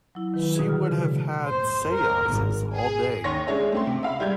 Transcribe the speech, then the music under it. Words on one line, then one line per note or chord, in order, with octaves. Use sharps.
She would have had seances all day.
F#3 E4
D#3 B4
B2 D3 F#4 G#4
F6
C#3
G#3
C5
A#4
G#1
G#4
D#2 C#5 C6 C#6 A#6
G#3 D4 G#4 C#5 E5
A3 C4 C6
C3
E5 F5 B5
G3 G#3 G6 G#6